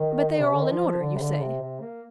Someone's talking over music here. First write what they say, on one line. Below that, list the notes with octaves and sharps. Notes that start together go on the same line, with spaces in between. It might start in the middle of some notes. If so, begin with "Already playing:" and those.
"But they are all in order, you say?"
Already playing: D#3
C3
D3
D#3
F3
F3
D3
C3
D3
C3
C3
A#3